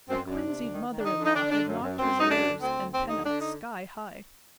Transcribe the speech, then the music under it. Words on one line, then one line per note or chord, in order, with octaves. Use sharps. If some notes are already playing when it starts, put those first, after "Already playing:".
A quinzied mother-in-law had knocked his lares and penates sky-high.
F#2 C4
F#2 D4
C3
D2
D#3
D#3
D4
D3 D#4
D3
D#4
D3 D4
D3 D4
F#2
F#2
F#2 C4
F#2
D#4
D3 D4
D3
D2 C4
D2
D#2 C4
D3 D#4
D3 D4
D#4